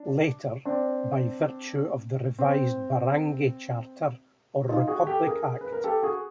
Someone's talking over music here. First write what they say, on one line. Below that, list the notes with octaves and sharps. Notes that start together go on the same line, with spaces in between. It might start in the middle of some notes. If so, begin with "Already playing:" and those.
Later, by virtue of the revised Barangay Charter or Republic Act.
Already playing: D4
C4 D4
C4
D#4 F4
F#4 G#4
G4 A4
G#4 A#4
B4
A#4
G4 A4
F#4 G#4